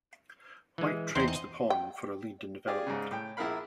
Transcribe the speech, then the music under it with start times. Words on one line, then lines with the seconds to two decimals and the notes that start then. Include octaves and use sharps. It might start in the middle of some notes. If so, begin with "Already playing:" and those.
White trades the pawn for a lead in development.
0.78 E3 G#3
1.15 E2 C4 D#4 C5 C6
1.28 D#5
1.70 G5
2.67 F4 G4 G#4 D5
2.87 G#2 C#3
3.11 A2 G5
3.37 A#1 E4 G#4 A#4 F5 B5